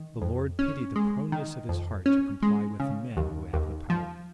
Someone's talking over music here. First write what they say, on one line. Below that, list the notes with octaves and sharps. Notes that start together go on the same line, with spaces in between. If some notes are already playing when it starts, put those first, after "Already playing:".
The Lord pity the proneness of his heart to comply with the men who have the power . . .
Already playing: D#3
F2
C#4
G#3
D#3
F2
C#4
G#3
C#3
D#2
D#2
F3